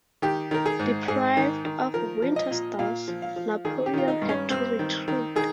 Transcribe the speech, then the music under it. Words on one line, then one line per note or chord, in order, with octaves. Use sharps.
Deprived of winter stores, Napoleon had to retreat.
D#3 G4
D#3 A#4
G#4
G#2
G#2 G#4
D#3
D#3
F3 A#4
F3
D#5
A#2
A#2 F5
F3
F5
F3
D#3 G#4
G4
D#3 F4
D#4
G2
C#4
G2 C4
D#3
D#3
D#3 G#4